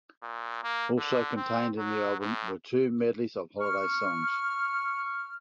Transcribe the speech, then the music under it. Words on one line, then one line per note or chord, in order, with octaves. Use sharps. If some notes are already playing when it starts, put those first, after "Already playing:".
Also contained in the album were two medleys of holiday songs.
A#2
A#3
D3
C4
F#3
A2
C#6 F6